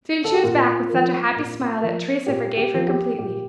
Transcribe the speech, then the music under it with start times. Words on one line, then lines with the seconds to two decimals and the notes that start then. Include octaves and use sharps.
Soon she was back with such a happy smile that Teresa forgave her completely.
0.25 A4
0.34 G4
0.43 A#2 F4
0.89 F3 A#3
1.35 A#2
1.81 F3 A#3
2.26 A#2 G4
2.57 G4
2.73 F3 A#3
2.88 G4
3.18 A#2 G4